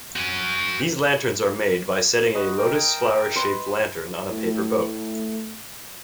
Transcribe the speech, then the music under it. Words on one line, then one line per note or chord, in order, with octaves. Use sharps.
These lanterns are made by setting a lotus flower-shaped lantern on a paper boat.
F#4 G#5
F#4 B4 D#5
A#4 G5
B4 B5 C6
A2 A3